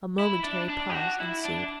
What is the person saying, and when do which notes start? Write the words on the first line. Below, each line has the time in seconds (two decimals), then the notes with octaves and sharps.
A momentary pause ensued.
0.19 E4
0.44 D4
0.69 D4
0.90 G4
0.95 F#4
1.20 E4
1.45 D4